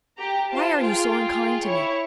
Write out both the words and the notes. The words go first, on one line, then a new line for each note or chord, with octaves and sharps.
"Why are you so unkind to me?"
G4 A#5
F4 C5 A5
F4 G#4 G5
E4 C#5